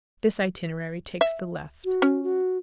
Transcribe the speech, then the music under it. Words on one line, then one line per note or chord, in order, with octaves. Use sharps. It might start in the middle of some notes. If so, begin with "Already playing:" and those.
This itinerary takes the left.
E5
F#4
C#4
F#4